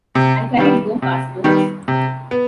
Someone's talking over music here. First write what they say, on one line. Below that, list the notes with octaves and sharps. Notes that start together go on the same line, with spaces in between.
I carried no passports.
C3
D#3 G3 B3
C3
D#3 G3 B3
C3
B3